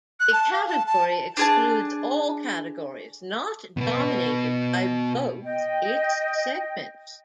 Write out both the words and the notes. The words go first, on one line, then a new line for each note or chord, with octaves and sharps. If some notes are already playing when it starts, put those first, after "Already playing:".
A category excludes all categories not dominated by "both" its segments.
F#6
A5
F5
A5
A5
D4 G#4 A5
B2 B3
D#5 G5